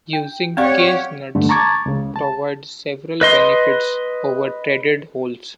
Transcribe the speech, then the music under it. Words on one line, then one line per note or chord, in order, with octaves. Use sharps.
Using cage nuts provides several benefits over threaded holes.
G5
C4 G4 C#5 D5 F5 F#5 C#6
G2 D3 A3
A5 A#5 C#6 D6 G#6 A6
C#2 C#3
A5
B4 D#5 C6